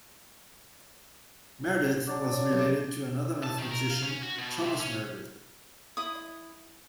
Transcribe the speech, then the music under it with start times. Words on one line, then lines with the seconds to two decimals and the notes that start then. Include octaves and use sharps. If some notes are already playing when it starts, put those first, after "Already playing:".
Meredith was related to another mathematician, Thomas Meredith.
2.07 F#3 D4 D5
2.53 B1
3.43 A5
3.58 D#3
3.71 A#4
3.90 F5
4.03 C#4
4.22 F#4
4.38 B2
4.63 C3
4.79 C#4
5.97 E4 D#6